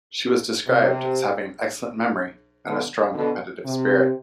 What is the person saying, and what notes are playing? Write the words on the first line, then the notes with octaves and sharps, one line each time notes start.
She was described as having had an excellent memory, and a strong competitive spirit.
C3
B2 D3
B2 D3
C3